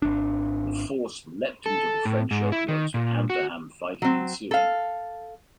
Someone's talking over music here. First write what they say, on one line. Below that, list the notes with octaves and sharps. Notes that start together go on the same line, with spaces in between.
The force leapt into the French earthworks, with hand-to-hand fighting ensuing.
G#1 D4
A4
A2
G#2
E4
D#3
A#2
F#4
F#3 C4
A4 F5